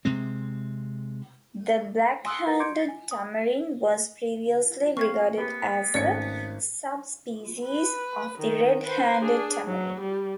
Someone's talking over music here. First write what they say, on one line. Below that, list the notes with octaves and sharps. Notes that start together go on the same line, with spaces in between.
The black-handed tamarin was previously regarded as a subspecies of the red-handed tamarin.
C3 G#3 C4
G#5 C6 D#6 E6 F#6
E4 A#4 B4 F#5 A6
C6 D6 G6 G#6 C#7 D7
A6 B6 C7
G#5
D#6
C4 F5 C#6 G#6
A#3 B3 G4 B4
G#1 A3 C#4 A4 D5 G#6 C#7
B4
D#3
B4 C5
D4 G#4
F#3
G3